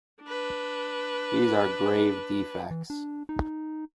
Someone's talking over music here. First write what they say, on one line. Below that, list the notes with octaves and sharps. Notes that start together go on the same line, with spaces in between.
These are grave defects.
D4 B4
E3
D4
D#4